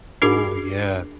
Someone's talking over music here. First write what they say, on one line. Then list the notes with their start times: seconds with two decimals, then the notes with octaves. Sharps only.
Ooh, yeah.
0.22 D4 F#4 G#4 A#4 D6